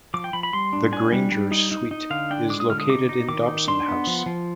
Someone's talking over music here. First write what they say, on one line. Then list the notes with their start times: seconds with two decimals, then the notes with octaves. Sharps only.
The Grainger Suite is located in Dobson House.
0.14 F3 D6
0.24 G5
0.33 F3 B5
0.43 B5
0.53 G3 C6
0.73 D4
0.92 D4 G#5
1.12 G3
1.32 G3
1.52 D#4
1.72 D#4
1.91 D#4
2.10 D3 F5
2.30 D4 G5
2.50 G#3 D6
2.60 D#6
2.69 D3 F6
2.80 D#6
2.89 D#4 D6
3.09 D#4
3.28 D#3 D6
3.48 D#4
3.68 D4 C6
3.88 B3
4.07 F3
4.26 F3